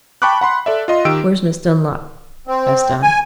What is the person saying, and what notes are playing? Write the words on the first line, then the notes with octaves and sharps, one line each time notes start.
"Where's Miss Dunlop?" asked I.
G5 A5 B5 C#6 D6 F#6
F#5 B5 C6
A4 D5 E5
F4 D#5 C6
D#3 G4 A#4 E6 D7
C4
G#5